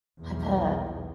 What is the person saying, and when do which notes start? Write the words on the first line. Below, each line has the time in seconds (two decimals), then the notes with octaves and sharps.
I bet.
0.19 B1 E2